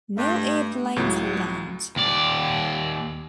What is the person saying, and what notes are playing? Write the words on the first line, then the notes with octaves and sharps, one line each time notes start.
No airplanes land.
G2 A3
C#2 A2 F#3
D#2 D5